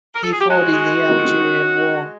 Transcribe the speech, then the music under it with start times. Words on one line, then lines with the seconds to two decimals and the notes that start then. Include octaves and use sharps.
He fought in the Algerian War.
0.16 A#4
0.24 A4
0.32 G#4
0.41 G4
0.50 G#3 F#4
0.72 G#3
0.96 G#3
1.18 D#3
1.40 C#4
1.64 D#3
1.86 G#3